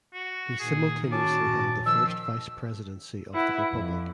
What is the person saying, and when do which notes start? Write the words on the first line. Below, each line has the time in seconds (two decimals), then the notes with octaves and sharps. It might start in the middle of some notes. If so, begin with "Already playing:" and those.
He simultaneously held the first vice presidency of the Republic.
0.14 F#4
0.60 A#2 D#3 G#4
1.12 C#4 F#4 A5 D6
1.86 D#3 F3 E6 B6 C7
3.34 E4 B4 F#5
3.72 F2